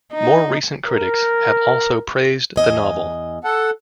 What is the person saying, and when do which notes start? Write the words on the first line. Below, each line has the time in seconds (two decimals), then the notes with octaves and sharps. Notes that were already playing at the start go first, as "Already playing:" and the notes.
More recent critics have also praised the novel.
0.13 D#4
0.86 A#4
2.56 E2 D#5 G#5
3.44 A4 F#5